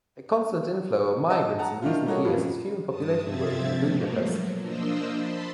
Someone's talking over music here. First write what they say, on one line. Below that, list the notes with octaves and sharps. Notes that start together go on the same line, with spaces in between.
A constant inflow of migrants in recent years has fuelled population growth in Budapest.
D#5 A5 E6
F#5 A5 A#5
D#3 D4 E4 F4
G3 A#3 D#4 F#4 A4 C#5
A1 F2 A#2 C#3
G2 A5 D#6
C3 F3 C4 E5 G#6 A6
G#2 B2 F3 A3 A#3
F#3
F3 A#3 D4 C5 D#5 E6
A5 B5 C6